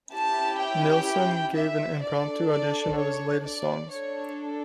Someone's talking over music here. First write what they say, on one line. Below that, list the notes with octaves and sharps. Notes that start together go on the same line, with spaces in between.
Nilsson gave an impromptu audition of his latest songs.
C#4 E4 G4 A5
G5
E5
D4 A4 D5
D5
C#5
D5
D4 A4 C#5